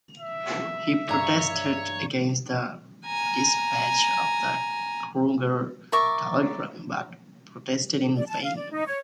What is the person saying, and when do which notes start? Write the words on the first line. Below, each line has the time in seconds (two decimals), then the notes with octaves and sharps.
He protested against the despatch of the Kruger telegram, but protested in vain.
0.20 E5
1.09 G2 C#5 A#5
3.06 G#5 A#5
5.92 A#4 D5 E5 C#6
8.15 D5
8.28 A5
8.42 F5
8.57 D5
8.71 D#4
8.87 C#5